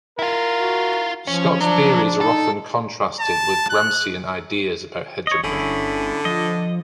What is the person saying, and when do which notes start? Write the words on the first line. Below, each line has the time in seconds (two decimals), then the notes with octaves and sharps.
Scott's theories are often contrasted with Gramscian ideas about hegemony.
0.19 E4 F4 A#4
0.60 F#4
1.27 F3 C#4
1.61 F3 F#3 D4
2.21 D#4 A4
3.20 A5
3.70 F#6
5.27 C#5 D#5
5.44 G1 D3 C#4 E4 G#4
6.25 F3 D#5